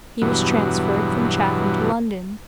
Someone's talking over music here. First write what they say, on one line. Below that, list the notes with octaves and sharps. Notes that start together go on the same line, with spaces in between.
He was transferred from Chatham to London.
E2 G2 B2 F#3